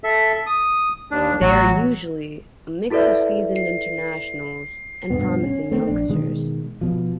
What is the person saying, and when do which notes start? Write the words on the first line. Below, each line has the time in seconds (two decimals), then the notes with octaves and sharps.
They are usually, a mix of seasoned internationals, and promising youngsters.
0.04 A4 E5
0.46 D#6
1.11 D#2 D4
1.42 A1 F#3 F#4
2.90 E4 F#4 A4 B4 D5 E5
5.10 D2 G2 B2 B3
5.43 C#4
5.71 A3 B3 C4
5.87 A#1 D4
6.09 B2 D#3 G#3
6.81 B2 F3